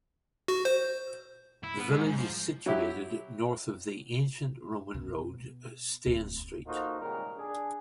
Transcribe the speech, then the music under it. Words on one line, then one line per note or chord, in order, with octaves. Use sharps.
The village is situated north of the ancient Roman road Stane Street.
F#4
C5
E4
B3
G#2
G#2
F3
F#3 E4 G4
B2
D1
A#3 D#4 F4 F#4 A4 C5
G#1 A#2 C#3 G3 G#3 A#4
D4 G#4